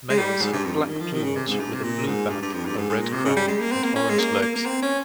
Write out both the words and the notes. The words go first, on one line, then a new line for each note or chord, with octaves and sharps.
Males have black plumage with a blue back, a red crown and orange legs.
G#3
G3
G#2
G2
F2
G2
D#3
F3
D#3
C#3
C3
G#2
G2
C3
A#2
G#2
G2
G2
F2
G2
G#2
G#2
A#2
C3
C#3
G3
G#3
A#3
C4
A#3
C#4
G#3
A#3
A#3
A#3
C4
C#4